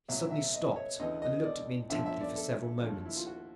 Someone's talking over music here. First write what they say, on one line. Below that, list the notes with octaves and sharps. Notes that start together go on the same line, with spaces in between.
He suddenly stopped and looked at me intently for several moments.
C2 A#2 F#3 E5
E5
D#5
C#5
D2 C#3 E3 D#5
D#5
D5
F#2 D3 F3 E5
E5
D5
A4
D#2 D3 F3
E4
F4
F#4